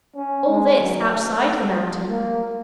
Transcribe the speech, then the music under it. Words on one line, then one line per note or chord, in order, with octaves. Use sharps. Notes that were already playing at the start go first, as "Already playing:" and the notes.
All this outside the mountain!
C#4
G#3
F#3
A#3